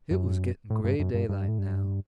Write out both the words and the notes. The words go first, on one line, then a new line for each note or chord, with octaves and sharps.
It was getting gray daylight now.
F#2
A2
G2
F#2
G2
G2
A2
G2